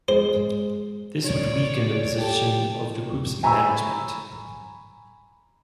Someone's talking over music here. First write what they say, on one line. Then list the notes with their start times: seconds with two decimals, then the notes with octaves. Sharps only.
This would weaken the position of the group's management.
0.08 G#3 C5
1.23 C#5 D5
2.17 G4 A4
3.43 G#5 A#5 B5 C#6 E6